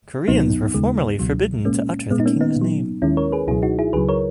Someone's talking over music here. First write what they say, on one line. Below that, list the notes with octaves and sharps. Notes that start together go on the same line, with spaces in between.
Koreans were formerly forbidden to utter the king's name.
C#2 B2 F#3 B3 D#4
D#2 C#3 G#3
C#2 B2 F#3
A#2 G#3 A#3 C#4
A#2 G#3 B3
D#4
A#3 C#4
B3 D#4
A#2
F#3
D#2 D#3 G#3 C#4 E4
A#4 C#5
G#4 B4
C#2 B2 F#3 E4 G#4
D#4 F#4
E4 G#4
C#2 C#3 F#3 G#4 B4
A#4 C#5